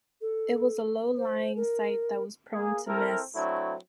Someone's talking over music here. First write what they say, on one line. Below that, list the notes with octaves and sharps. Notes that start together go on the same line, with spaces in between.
It was a low-lying site that was prone to mists.
A4
C5
A#4
A#3 G#4
C4 E4 A4 A#4
F#3 A3 C4 D4 E4